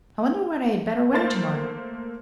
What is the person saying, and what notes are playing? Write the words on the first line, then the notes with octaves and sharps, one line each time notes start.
I wonder what I had better wear tomorrow.
A3 A#3 C5 A6